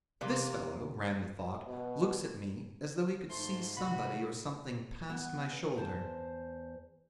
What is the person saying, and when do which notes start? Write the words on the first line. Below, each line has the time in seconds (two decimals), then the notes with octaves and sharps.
This fellow--ran the thought--looks at me as though he could see somebody or something past my shoulder.
0.21 C3 E3 A#3
1.67 B2
3.30 G#2 A3 C5 C6
3.77 C3 F#4 B5
5.09 B3
5.76 E2 C5 A5